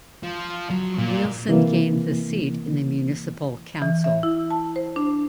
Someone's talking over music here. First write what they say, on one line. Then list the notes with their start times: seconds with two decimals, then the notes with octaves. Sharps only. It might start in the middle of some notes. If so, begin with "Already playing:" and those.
Nielsen gained the seat in the municipal council.
0.23 F3
0.70 F#3
0.98 A#2
1.47 C3 E3 A#3
3.82 E3
4.04 E5
4.23 E4
4.50 A5
4.76 C5
4.96 D4